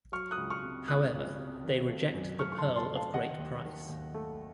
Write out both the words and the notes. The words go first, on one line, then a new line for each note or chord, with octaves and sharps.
However, they reject the Pearl of Great Price.
F#3 C#6 F6
D#6 F#6
C#2
C#6 F6
C3
C#2 D#6 F#6
C#2
C3
D#3
A3
F#2
A3 C#6 F6
C#6
A5 C6
F#2
A5 C6
A3
F5 A5
D#3 D#5 F#5
D#2
D#3
D#2
A3